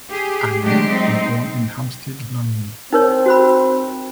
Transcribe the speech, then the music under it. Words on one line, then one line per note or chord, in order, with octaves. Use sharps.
Arnell was born in Hampstead, London.
G4 G#4
F#3 G#3 A3 D4 G4
C4 D#4
C4 D#4 A#4 C#5
F#4 C5 B5